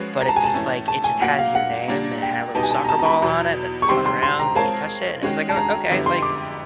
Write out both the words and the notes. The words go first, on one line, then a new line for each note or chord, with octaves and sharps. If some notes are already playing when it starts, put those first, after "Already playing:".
But it just, like, it just has your name and it had a little soccer ball on it that spun around when you touched it. And it was like, "Oh, okay, like,
Already playing: F3 G#3 C#4 F#4 B4
A#5
A5
G#5
A5
A2 E3 A3 C#4
A5
G#5
A#2 F#3 A#3 F#5
F5
F#5
A#2 G3 A#3 D4
G5
B2 G3 B3 D#4 A5
G#5
A5
A#5
A5
A#5
B5
E2 B2 F#3
C#6
C3 D#3 G3 C4 C6
C6
C6
A#5
G#3 C4 F4 A#4 C#5 A5
D#3 G#3 C#4 F#4
A5
A#5
F2 D3 G3 B3 E4
C6
D6